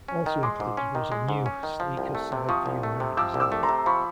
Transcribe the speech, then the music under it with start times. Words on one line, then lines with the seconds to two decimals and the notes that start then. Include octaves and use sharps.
Also included was a new, sleeker side view mirror design.
0.08 C#4
0.26 D#3
0.43 G#3 C6 D6
0.60 G#2
0.77 C#4
0.95 D#3
1.12 G#3
1.29 G#2
1.46 C#4
1.63 D#3
1.80 F3
1.97 C2
2.15 A3
2.32 C3
2.49 F3 C#6 D#6
2.66 C2
2.83 A3
3.00 C3
3.17 F3 D6 E6
3.34 C2
3.40 D6 E6
3.52 A3
3.63 A#5 C6
3.69 C3
3.86 F3 B5 C#6